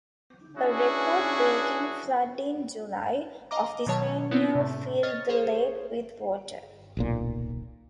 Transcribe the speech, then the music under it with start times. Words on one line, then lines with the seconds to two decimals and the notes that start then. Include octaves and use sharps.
A record-breaking flood in July of the same year filled the lake with water.
0.56 C#4 D4 E4 F#4 G#4
3.51 D#5 F5 A#5 D6
3.86 B2 D#3 F#3 C#5 A5 G#6
4.31 B3 C4 E4
4.55 A2 C3
5.03 C#5 D#5 F6 A6
5.29 G#4 C5 C#5
6.97 D1 B1 A#2